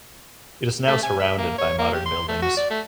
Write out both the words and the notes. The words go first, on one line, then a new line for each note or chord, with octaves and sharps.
It is now surrounded by modern buildings.
A3
G#5
E5
A#3
C#5
A#3
G4
C6
A3
F#4
D5
A3